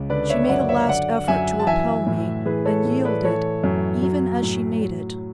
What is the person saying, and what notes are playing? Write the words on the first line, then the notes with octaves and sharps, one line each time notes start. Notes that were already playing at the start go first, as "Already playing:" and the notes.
She made a last effort to repel me, and yielded even as she made it.
Already playing: C#2
D3 B4 D5
C#5 E5
F#2 D5 F#5
C#5 E5
D3 D5 F#5
F#2 E5 G#5
A5
E3 E5 G#5
A2
E3 G#4 B4
A4 C#5
A2
B4 D5
E3 A4 C#5
F#2
F#3
A2
F#3